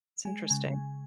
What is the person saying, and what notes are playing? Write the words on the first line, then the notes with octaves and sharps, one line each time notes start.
it's interesting.
G#3 G#5
C#3 G#5